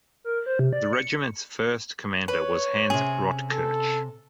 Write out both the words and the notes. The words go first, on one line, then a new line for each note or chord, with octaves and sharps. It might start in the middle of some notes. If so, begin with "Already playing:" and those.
The regiment's first commander was Hans Rotkirch.
A#4
C5
C3
D5
C#7
B4 C#5
C3 C#4 G#4
A4